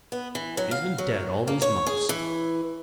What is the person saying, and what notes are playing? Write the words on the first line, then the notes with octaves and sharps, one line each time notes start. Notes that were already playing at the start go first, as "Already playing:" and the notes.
She has been dead all these months.
B3
E3
F#3
F5
F#3
A#3
C#5
G#4
E3